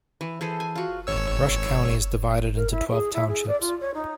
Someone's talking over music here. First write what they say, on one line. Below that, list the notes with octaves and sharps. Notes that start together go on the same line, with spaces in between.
Rush County is divided into twelve townships.
E3
E3 G#4 A4 C5
G#5
F4 F#4
G#1 C#5 E6
A#4
E4
G#4
E4
G#4
D5
F4
C#5
D#4